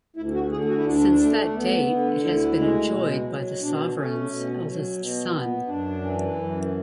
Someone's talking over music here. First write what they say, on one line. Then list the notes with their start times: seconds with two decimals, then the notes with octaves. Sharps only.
Since that date it has been enjoyed by the Sovereign's eldest son.
0.16 D2 E4
0.34 F#4
0.52 D3 G#4
0.69 F#4
0.77 E4
0.85 D2 D4
1.20 A3
1.54 B3
1.89 D3
2.23 D2 E4
2.57 G#3
2.91 B2
3.27 F#3
3.61 B2 D4
3.95 A3 C#4
4.29 B2
4.64 F#3
4.98 B2
5.33 B3
5.67 F#2 D4
6.01 E3
6.36 F#2